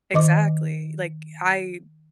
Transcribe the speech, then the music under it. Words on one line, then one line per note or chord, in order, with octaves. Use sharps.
Exactly, like, I
D#3 D#5 D6